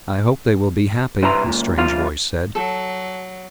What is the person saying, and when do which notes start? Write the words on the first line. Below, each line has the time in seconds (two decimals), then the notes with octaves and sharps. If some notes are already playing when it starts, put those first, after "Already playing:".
"I hope they will be happy," a strange voice said.
1.23 C3 G3 E4 B4 A#5 C6
1.45 C#2 A#2
1.77 B1 F4 F5
2.55 F#3 A4